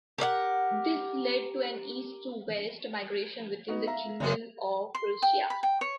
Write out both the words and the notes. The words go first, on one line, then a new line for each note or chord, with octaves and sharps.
This led to an East-to-West migration within the Kingdom of Prussia.
G4 A#4 D5 F#5
B3 D#4 F#4
E5 F5 A#5
F#1 F#2 C3 B3
C6
G5
B5
G5
C#5